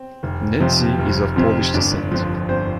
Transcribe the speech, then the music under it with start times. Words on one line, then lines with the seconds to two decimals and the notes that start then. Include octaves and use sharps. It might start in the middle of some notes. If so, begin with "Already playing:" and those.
Nedzi is of Polish descent.
Already playing: C4
0.23 F1
0.60 F2 C3 F3
0.99 F1
1.36 F2 C3 F3
1.74 G1 D4 D5
2.11 F2 D3 F3
2.49 G1 C4 C5